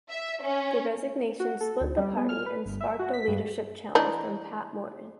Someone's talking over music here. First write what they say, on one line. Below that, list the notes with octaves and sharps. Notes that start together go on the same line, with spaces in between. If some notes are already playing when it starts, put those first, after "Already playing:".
The resignation split the party and sparked a leadership challenge from Pat Morton.
E5
C#4
F#4
A4
D2
G3
B3
F6
B4
G1
E5
F#4
B6
G2
E3 D4 D#4